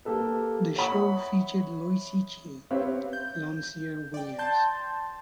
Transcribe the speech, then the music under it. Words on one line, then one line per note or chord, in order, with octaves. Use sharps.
The show featured Lottie Gee, Loncia Williams.
A#3 G4 A4 B4
C#5 E5 F#5 B5 C#6 D#6
C4 G4 B4 C#5 E5 F5
G6
D5 G5
A5 C6 G6 A6